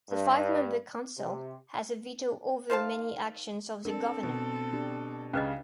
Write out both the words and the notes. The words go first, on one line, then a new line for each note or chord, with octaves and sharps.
The five-member council has a veto over many actions of the governor.
G2
C3
D#3 C5 F5 A5
C4 D4 A4 A#4
B2
D4 G4
C#2 C#3 C#4 B4 D#5